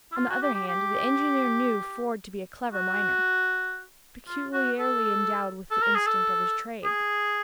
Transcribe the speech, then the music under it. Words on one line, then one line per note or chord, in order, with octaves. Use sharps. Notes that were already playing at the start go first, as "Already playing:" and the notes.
On the other hand, the engineer knew Ford to be a clever miner, peculiarly endowed with the instinct of his trade.
E4
F4
F#4
G4
G4
G4
F#4
F4
F#4
A4
A4
A#4
G#4
A4
G#4